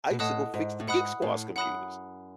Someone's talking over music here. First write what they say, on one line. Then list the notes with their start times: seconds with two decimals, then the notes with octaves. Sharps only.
I used to go fix the Geek Squad's computers.
0.10 B2
0.19 A2 D#5 F#5 A5 D#6 F#6
0.54 G#2
0.80 A2
0.87 G#2 F#5 B5 D#6 F#6
1.22 A2
1.56 F#2 F#5 B5 D#6 F#6